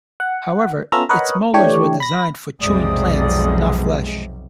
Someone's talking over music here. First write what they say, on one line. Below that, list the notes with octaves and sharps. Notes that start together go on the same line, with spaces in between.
However its molars were designed for chewing plants, not flesh.
F#5
B3 C#4 F4 A4 E5 A#5
A#4 B4 C#5 D#5 F#5
E3 A3 D4 G4 C#5
B5 A#6
B1 F2 C3 G#3 D5 D#6